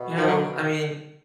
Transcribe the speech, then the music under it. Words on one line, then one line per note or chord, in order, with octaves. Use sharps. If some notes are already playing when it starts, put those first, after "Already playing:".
you know, I mean,
Already playing: B2
D#3
D3